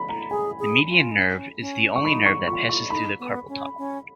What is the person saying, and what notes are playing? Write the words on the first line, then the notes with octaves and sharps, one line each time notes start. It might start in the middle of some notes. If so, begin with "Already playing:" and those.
The median nerve is the only nerve that passes through the carpal tunnel.
Already playing: B5
A#5
G#4 G#5
G#4
F4
D#4
C#4
C#4
C#6
D#4 B5
C#6
F4 C#6
C#6
D#4 B5
B3
C#4
C#4